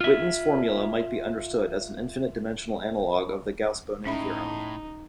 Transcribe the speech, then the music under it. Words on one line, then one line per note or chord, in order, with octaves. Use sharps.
Witten's formula might be understood as an infinite-dimensional analogue of the Gauss-Bonnet theorem.
F4 E5
A2 C#4 D#4 E5 B5